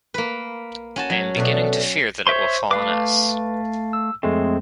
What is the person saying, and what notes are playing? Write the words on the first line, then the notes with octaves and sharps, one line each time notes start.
I am beginning to fear that it will fall on us.
A#3 B4
C#4 F#4 A5
F#3
B2 A3 D4
C5 C#5 E5 C6 C#6
A3 B4 F5 D6
E6
F2 G#3 A3 C4